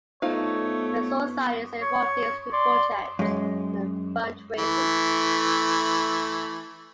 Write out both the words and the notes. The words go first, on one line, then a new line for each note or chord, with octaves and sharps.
The societies are involved in school projects and in fund-raising.
A3 B3 D#4 F4 C5 C#5
C#5
D5 C6
F#2 G#3
E3 A3